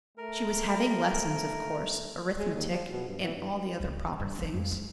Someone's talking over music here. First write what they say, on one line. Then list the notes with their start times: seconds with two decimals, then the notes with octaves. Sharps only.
She was having lessons, of course; arithmetic, and all the other proper things.
0.18 A3 A#4
2.39 G#3
2.54 D#2
2.70 F3
2.91 B2
3.07 G2
3.22 E3
3.34 G2
3.80 C#2 G#3
4.03 D2
4.20 G2
4.39 F3 D4
4.54 F2
4.72 G#3